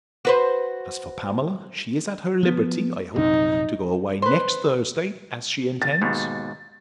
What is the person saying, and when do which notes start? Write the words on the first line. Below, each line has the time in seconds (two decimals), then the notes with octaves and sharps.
As for Pamela, she is at her liberty, I hope, to go away next Thursday, as she intends?
0.25 F#4 B4 C5
2.43 F3 B3
3.16 A#1 F#2 C3 D#4
4.22 B4 C5
5.82 A6
6.02 D#2 G#2 B2